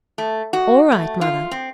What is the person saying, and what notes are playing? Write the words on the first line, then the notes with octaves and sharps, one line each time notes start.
'All right, Mother.
A3
F#4
A3
F4
C4